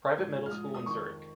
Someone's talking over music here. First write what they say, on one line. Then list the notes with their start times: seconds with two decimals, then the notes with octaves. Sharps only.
Private middle school in Zurich.
0.17 G#2 F3 G#6
0.46 F6
0.51 G#2 F3 D#6
0.74 D#6
0.86 F2 D#3 C#6